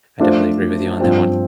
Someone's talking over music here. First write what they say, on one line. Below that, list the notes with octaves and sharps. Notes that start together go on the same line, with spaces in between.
I definitely agree with you on that one.
F3 A3 D4 F4 C5
G2 F3 C4